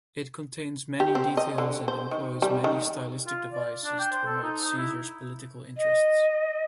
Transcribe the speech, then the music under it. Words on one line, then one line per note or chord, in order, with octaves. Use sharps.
It contains many details and employs many stylistic devices to promote Caesar's political interests.
G4
C4
D#5
D3
C5
D#3
G3
D#3
F4
D5
D4
G5
C5
A4
D#4
D#4
E4
D#5